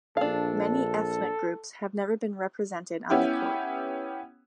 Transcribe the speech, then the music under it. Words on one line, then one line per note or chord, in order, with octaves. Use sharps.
Many ethnic groups have never been represented on the Court.
A#1 D4 A4 F5
B3 C#4 E4 G4